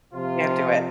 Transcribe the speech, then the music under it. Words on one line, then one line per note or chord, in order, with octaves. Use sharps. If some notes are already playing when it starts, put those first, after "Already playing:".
Can't do it.
C3 F3 F4